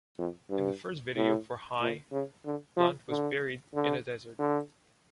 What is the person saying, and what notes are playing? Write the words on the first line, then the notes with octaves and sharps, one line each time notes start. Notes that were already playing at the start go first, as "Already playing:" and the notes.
In the first video for ‘‘High,’’ Blunt was buried in a desert.
F2
G2
A2
A#2
C#3
D3
F3
D3
D3
D3